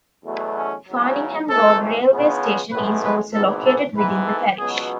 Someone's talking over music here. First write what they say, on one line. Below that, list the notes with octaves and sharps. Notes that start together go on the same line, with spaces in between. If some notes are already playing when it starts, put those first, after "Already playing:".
Farningham Road railway station is also located within the parish.
E2 B2 F#3 A3
C#4
E2 C#3 F#3
G#1 G#2 E3 A3 A4
C#2 C#3 G#3 B3
A4
A1 A2 G#3 B3 B4
B4
G#1 G#2 E3 B3 A4
A4
G#2 E3 B3 B4
A4
C#2 B2 F#3 B3 G#4